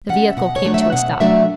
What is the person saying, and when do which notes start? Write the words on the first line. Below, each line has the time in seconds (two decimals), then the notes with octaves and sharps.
The vehicle came to a stop.
0.09 G3 C#4 F#5
0.30 E5
0.37 B2 F#5
0.56 C#5
0.64 F#3 A3 D4
0.74 E5
0.92 B2 F#5
1.20 F#3 A3 D4 E5